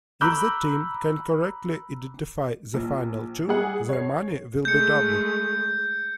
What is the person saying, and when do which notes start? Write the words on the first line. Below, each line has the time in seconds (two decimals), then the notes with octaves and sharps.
If the team can correctly identify the final tune, their money will be doubled.
0.21 A#5 B5 D6 E6 F#6 G6
2.74 A#1
3.48 G3 G#4 F#5
3.89 C#5 C7
4.65 G#3 A3 G6 C#7